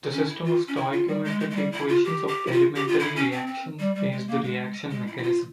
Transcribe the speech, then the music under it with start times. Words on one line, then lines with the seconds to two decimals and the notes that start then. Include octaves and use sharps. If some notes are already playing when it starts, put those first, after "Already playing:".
The system of stoichiometric equations of elementary reactions is the "reaction mechanism".
0.13 C#4
0.28 E4
0.45 F4
0.68 C#4
0.76 E4
0.93 F4
1.08 G3
1.24 G#3
1.40 G#3
1.50 G#3
1.56 G3
1.72 E4
1.88 F4
2.04 G4
2.28 G4
2.47 E4
2.52 F4
2.76 G4
2.88 F4
2.99 E4
3.16 C#4
3.32 C4
3.47 C4
3.79 G3
3.95 G3
4.12 G#3
4.28 A#3
4.43 G#3
4.91 G#3
5.07 E4
5.17 E4
5.23 F4